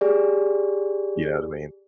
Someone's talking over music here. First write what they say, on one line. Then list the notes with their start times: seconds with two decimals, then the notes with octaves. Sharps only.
You know what I mean?
0.01 G4 G#4 D5